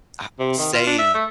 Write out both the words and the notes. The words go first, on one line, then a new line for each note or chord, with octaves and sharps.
uh, say
C3
D#3
F4
D4
E5
A3